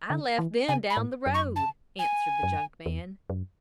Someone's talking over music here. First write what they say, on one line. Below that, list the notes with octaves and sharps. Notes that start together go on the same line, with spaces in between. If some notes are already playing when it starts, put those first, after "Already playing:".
"I left them down the road," answered the junk man.
D3
E3
C#3 G#5
B5
A2
F#2
C#6
A5
G#5
F#2
E2
F#2